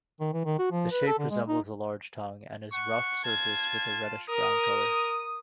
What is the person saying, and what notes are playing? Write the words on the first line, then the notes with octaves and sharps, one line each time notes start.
The shape resembles a large tongue, and it is rough-surfaced with a reddish-brown colour.
D#3
E3
D#3
F#4
F3
B4
A4
D3
G#3
D#4
F#5 C#6
F4 A5 G#6
A#4 D#6